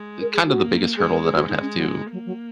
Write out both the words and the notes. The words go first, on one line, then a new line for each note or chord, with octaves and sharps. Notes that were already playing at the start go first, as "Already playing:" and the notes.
kind of the biggest hurdle that I would have to,
Already playing: G#3
A#4
G#4
F#4
A#3
G#3 G#4
A#4
G#4
F#4
D#4
C#4
F#3
F#3 A#3
F#3